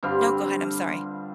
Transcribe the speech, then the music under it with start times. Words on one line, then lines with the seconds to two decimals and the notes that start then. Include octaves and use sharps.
No, go ahead, I'm sorry.
0.03 G2 D3 G3 C4 F4 F5